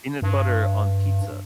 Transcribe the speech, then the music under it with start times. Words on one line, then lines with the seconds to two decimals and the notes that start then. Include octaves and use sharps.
Peanut butter on pizza?
0.22 G2